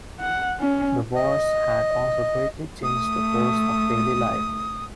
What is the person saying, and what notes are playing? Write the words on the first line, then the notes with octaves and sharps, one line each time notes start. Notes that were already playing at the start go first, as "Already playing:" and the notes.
The wars had also greatly changed the course of daily life.
F#5
C#4
D#5
A3 D#6